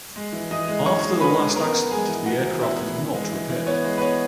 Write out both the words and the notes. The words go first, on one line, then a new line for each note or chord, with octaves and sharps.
After the last accident the aircraft was not repaired.
G#3
E3
E3 D#5 D#6
G#3
C#4 C#5 C#6
G#3
C#4 B4 B5
G#3
B3 A#4 A#5
B3
G#3 G#4 G#5
E3
E3 F#4 F#5
E3
B3 E4 E5
E3
E3
G#3
E3
E3
B3 C#5
G#3
B4
B3 C#5